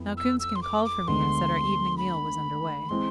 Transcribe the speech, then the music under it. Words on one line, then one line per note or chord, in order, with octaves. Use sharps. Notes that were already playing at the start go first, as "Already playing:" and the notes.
Now Coonskin called for me and said our evening meal was under way.
Already playing: F2 B3 E4
E6
E6
C6
D6
D6
D2 D3 G#3 B3 C6
B5
E3 G#3 C4 C6